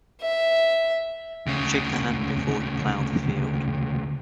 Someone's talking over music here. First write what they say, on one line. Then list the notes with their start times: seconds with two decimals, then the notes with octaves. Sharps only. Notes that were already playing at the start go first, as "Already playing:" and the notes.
Shake the hand before you plough the field.
0.21 E5
1.47 D2 C#3